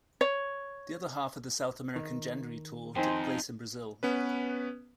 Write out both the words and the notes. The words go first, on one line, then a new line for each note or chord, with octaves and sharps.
The other half of the South American January tour took place in Brazil.
C#5
D#3
F2 C4 D#4 G#5 C6
B3 C#4 B4